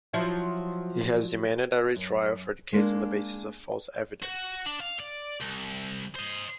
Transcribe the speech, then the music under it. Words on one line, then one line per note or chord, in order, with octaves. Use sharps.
He has demanded a retrial for the case on the basis of false evidence.
F3 F#3 E4
F#2
G#3 A#3 D4
F#4
D4
F5
D5
C2
C5 D#5